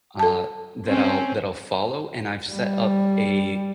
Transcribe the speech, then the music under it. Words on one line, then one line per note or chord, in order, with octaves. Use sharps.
uh, that I'll that I'll follow, and I've set up a
A4 A5
C4 C#4
G3